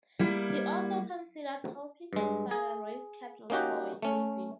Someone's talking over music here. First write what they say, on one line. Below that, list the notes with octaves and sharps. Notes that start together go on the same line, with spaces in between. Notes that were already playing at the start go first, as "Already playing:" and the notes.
He also considered helping his father raise cattle for a living.
G3 A#3 E4
G2 G#3
G#4
A#3 C#4 D#4 F#4 G4
A3 C#4